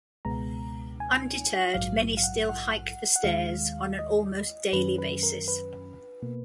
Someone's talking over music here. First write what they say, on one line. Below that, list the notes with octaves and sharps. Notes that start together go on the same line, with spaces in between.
Undetered, many still hike the stairs on an almost daily basis.
C#2 B2 G#3 B3 A#5
G#5
A#1 G#2 F#3 F5
F5
F#5
F#5
F#5
D#2 D#3 G#3 F5
D#5
F#2 D#3 F#3 C#4 B4
B4
A#4
B4
B2 A#3